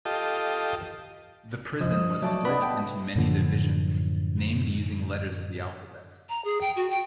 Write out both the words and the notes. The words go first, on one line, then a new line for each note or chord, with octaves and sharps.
The prison was split into many divisions, named using letters of the alphabet.
F4 G4 A4 D#5
F3 D#5
F#3 A3 D5 A5
B2 D3 B3 B4 D5 B5
G5
F#2 A2 D3 F3
A#5
G#4
G5
F#4
G5